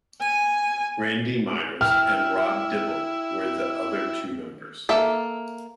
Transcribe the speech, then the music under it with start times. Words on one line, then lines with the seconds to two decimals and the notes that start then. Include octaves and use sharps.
Randy Myers and Rob Dibble were the other two members.
0.21 G#5
1.81 E4 G5 F6
4.89 A#3 A4 E5